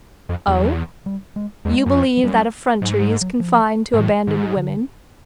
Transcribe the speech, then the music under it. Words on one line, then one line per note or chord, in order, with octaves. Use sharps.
Oh! you believe that effrontery is confined to abandoned women?
F2
E2 F#3
G3
G#3
E2 G#3
F#2
F2
F#3
F#2 G3
G#2 F#3
G3
F#3
F3
G#2
A2 E3
G#2 D#3
D3